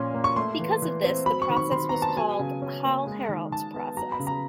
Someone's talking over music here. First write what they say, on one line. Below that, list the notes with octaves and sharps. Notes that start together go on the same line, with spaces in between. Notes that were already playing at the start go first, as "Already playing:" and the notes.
Because of this, the process was called the Hall-Heroult process.
Already playing: A#2 F3 C#4 C6
A#3
C#6
A3 C6
E3
E3
C4
F#3 B5
C#6
D#3
C#6
D#3 C6
B3 A#5
A5
F#3 G#5
C#3
C#4
A#3
G#3
D#3
D#3 A5
B3
F#3 A#5
B5
C#3
A#5